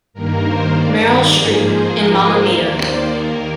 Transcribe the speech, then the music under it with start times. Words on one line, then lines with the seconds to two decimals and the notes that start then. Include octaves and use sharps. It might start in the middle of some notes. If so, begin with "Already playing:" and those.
Meryl Streep in Mamma Mia.
0.14 G2 D#3 A#3 A#4
0.44 C5
0.73 G2 D#3 A#3 D5
1.31 G#2 F3 A#3 G#4
1.61 C5
1.90 G#2 F3 A#3 A#4
2.20 C5
2.49 D#2 D#3 A#3 D5
2.79 C5
3.08 D#2 D#3 A#3 A#4